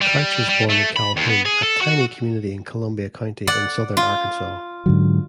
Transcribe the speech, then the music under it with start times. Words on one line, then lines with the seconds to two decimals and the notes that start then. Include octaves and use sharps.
Couch was born in Calhoun, a tiny community in Columbia County in southern Arkansas.
0.01 G3
0.49 G3
0.70 A3
0.96 B5
1.17 D#2
1.29 B3
1.46 G#4
1.63 A4
1.81 F#4
3.47 D5 F#5
3.97 F4
4.86 G#2 D3 F#3